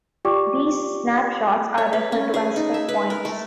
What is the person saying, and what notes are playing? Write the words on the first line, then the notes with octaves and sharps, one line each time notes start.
These snapshots are referred to as "checkpoints".
F4 G4 D5 G5 C#6 D6
C#5
B4
C#4
G#4
D#4
E5
B4
A#4
A3